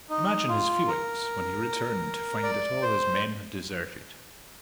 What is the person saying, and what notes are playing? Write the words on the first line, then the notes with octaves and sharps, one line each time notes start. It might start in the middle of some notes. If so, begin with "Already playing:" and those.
Imagine his feelings when he returned to find that all his men had deserted.
D#4
F4
A#4
D5
C5